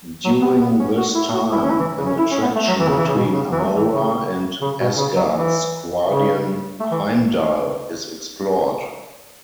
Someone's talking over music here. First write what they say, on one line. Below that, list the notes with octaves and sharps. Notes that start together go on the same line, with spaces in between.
During this time, an attraction between Amora and Asgard's guardian Heimdall is explored.
F#3
B3
B3
C#4
F#4
E4
F#4
E4
C#4
E4
E3
C#3
C#4
E4
C#4
B3
A3
F#3
E3
C#3
E3
C#3
B2
C#3
E3
F#3
A3
E3
C#3
C#3
B2
C#3
F#3
E3
C#3
A3
E3